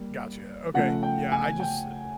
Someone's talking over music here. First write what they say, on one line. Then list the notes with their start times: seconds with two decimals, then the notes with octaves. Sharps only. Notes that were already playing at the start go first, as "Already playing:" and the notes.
gotcha. Okay, yeah. I just
Already playing: G3 A#3
0.74 C#3 F3 A3 F#5
1.03 G5
1.32 G#5
1.60 G5